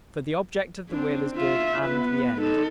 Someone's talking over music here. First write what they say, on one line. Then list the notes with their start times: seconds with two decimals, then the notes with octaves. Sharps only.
For the object of the will is good and the end.
0.91 C4 D4
1.37 F4 E5
1.85 B3 B4
2.39 D#4 A4